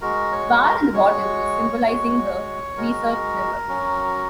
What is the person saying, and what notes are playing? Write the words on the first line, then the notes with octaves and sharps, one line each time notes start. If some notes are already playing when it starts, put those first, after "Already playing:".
The bar in the bottom is symbolising the Weser River.
G#3 F#4 A#4 A#5
C#5 C#6
A#4 A#5
G#3 F#4 C#5 C#6
G#3 F#4
G#3 F#4 A#4 A#5
F#3 C#4 F#4